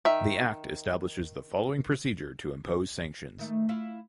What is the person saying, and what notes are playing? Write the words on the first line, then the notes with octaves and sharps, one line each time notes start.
The act establishes the following procedure to impose sanctions.
D#3 E5
D#3 A3
E4 F4 F5